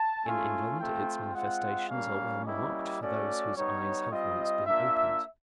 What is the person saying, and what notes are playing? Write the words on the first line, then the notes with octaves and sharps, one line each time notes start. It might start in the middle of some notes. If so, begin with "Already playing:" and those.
In England its manifestations are well marked for those whose eyes have once been opened.
Already playing: A5
A3 C#4 F4 G#5
A3 C4 F4 G5
G#3 C4 F4 F#5
G3 A#3 C#4 F5
G3 A#3 C#4 E4 G4 D#5
A3 C#4 F#4 D5
G3 B3 D#4 C#5
G3 C4 F4 D#5
A#3 D4 F4 E5